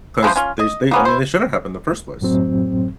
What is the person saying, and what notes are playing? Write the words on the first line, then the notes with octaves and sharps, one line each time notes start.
'cause they sh they I mean, they shouldn't happen in the first place.
E3 F3 F#4 C5
C#4 F4
D#5
A#3 B3 C#4
E4 C5
F#2 A2 F#3 C4